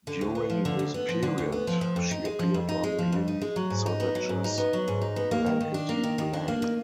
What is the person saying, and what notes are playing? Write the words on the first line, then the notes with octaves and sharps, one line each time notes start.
During this period, she appeared on Lily Savage's Blankety Blank.
D3
D2
B3
F3
D3
D2
B3
F3
D3
D2
B3
F3
F3
F2
D#4
G#3
F3
F2
D#4
G#3
F3
F2
D#4
G#3
F#3
G#2
D#4
B3
F#3
G#2
D#4
B3
F#3
G#2
D#4
B3
A#3
D#3
D#3
D4
A#3
D#3
D#3
D4
A#3
D#3